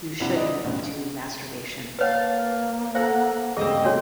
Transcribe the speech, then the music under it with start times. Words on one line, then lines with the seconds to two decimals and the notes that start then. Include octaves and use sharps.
You shouldn't do masturbation.
0.20 A#1 C3 E4 F#5
0.36 D5 D#5
0.64 A1 D2 B2
1.99 A#3 B4 C#5 F5 F#5 A5
2.95 A4 C5 F5 F#5 A#5
3.57 D2 G2 C#3 C4 G#4 D#5
3.84 C3 A3 D4 F#4 C#5